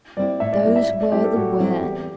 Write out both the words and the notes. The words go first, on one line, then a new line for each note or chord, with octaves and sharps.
Those were the words!
G3 C4 E4 D5
A2 E5
D5
G3 C4 E4 D5
E5
A2
D5
G3 C4 E4 G4
A4
A2 F#4
G3 C4 E4
E2 G4